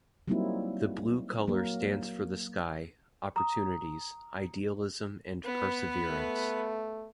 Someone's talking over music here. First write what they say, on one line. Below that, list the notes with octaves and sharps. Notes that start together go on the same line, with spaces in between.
The blue color stands for the sky, opportunities, idealism and perseverance.
F#3 G3 A#3 C4 D#4 E4
F#3 A#3 A#4
A#5 D#6
B3 B4
A3